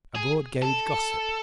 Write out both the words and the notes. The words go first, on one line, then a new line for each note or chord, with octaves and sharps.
A broad-gauge gossip.
G#4
A4